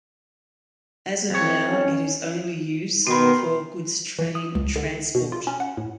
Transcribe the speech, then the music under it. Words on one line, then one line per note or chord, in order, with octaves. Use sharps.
As of now it is only use for goods train transport.
F2 C#5
C#4
B2 D#3 B3 F#4 B5 C6
E3
D#6
C#2
D3
B2
F4
C#4
F#5
A2